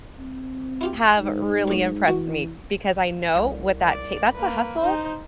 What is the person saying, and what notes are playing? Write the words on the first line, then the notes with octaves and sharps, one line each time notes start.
have really impressed me because I know what that take that's a hustle,
C4
E4 F4 G4
G#2
B1 A2
E3 G#3 F#4
C2
D5
A#3 B4
D#4 C5